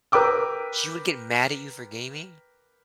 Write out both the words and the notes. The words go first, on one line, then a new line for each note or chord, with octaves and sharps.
She would get mad at you for gaming?
A#4 B4 G5 D6 E6